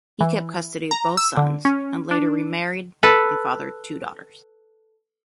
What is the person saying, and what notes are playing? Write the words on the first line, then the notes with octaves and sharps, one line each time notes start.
He kept custody of both sons, and later remarried and fathered two daughters.
E3
A#5
E6
D3
C#4
D4
A4 B4